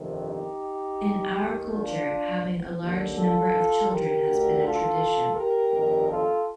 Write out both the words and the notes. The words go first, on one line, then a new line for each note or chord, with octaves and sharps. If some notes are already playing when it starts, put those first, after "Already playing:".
In our culture, having a large number of children has been a tradition.
Already playing: G1 F2 C3 D#3
D#4 G4
D#2 D#3
D4 F4
D#2 D3
F4 A4
G4 A#4
D2 D3
F4 A4
G4 A#4
G1 F2 D#3
F4 A4